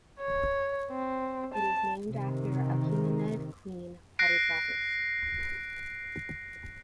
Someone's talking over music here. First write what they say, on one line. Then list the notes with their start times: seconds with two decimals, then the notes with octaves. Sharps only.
It is named after Achaemenid Queen Parysatis.
0.20 C#5
0.90 C4
1.55 A5
2.11 C3 D#3
4.19 F#6 A#6 C7 D7